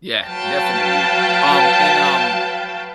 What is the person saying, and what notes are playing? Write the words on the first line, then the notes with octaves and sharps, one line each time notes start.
Yeah, definitely, um and, um,
F#3 B4 F5 G5 A5